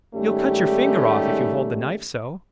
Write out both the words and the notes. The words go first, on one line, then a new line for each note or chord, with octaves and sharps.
"You'll cut your finger off, if you hold the knife so!"
G#2 D#3 G3 A3 C#4 G4